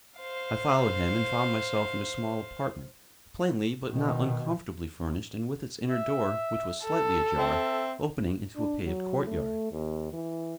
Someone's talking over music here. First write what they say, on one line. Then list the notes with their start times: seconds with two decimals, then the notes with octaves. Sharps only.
I followed him, and found myself in a small apartment, plainly but not uncomfortably furnished and with its inner door, which was slightly ajar, opening into a paved courtyard.
0.19 C5 F5
3.90 B2 D#3
5.90 E5
6.85 A4
7.38 C4 E5
8.56 D4
8.84 F#3
9.27 A3
9.71 D#2
10.13 E3